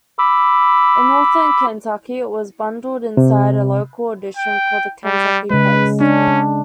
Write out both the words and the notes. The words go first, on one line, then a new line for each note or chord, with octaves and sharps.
In Northern Kentucky, it was bundled inside a local edition called The Kentucky Post.
B5 D6 E6
C3
G5
G3
C#3 G#3 B4
C#4 D4